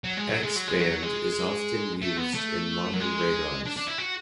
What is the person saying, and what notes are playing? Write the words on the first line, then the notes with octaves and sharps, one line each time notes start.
X band is often used in modern radars.
F#3
G#3
F#3
G#3
F#3
G#3
F#3
G#3
A3
B3
A3
F#3
G#3
D4
D4
E4
F#4